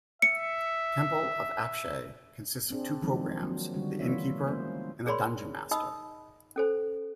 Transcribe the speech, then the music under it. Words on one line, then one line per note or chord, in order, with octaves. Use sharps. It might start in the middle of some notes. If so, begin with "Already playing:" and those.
"Temple of Apshai" consists of two programs; the Innkeeper and the Dunjonmaster.
E5 C#7
C4 D4 G#4
D#3 F3 F#3 G#3 C4 D#4
F#3 A#3 D4
D3 D#3 G3 D4 F#4
E3 A#3 E4 F4 C#5 E5
G#3 A#3 B3 C#4 C5
G#4 A#4 C#5 D5 B5 C6
D#4 D#5 B5 D#6 E6
C#4 A4 C5